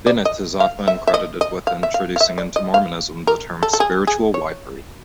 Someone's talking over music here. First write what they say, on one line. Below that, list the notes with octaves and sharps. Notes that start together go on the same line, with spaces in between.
Bennett is often credited with introducing into Mormonism the term spiritual wifery.
D5
D#5
F5
E5
E5
D#5
D#5
F5
E5
F5
F5
E5
D5
D#5
F5
A#4
A4
A4
G#4
G#4
C#5